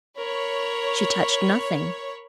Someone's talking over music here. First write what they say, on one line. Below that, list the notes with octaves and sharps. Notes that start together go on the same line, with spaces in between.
She touched nothing.
A#4 C#5 B5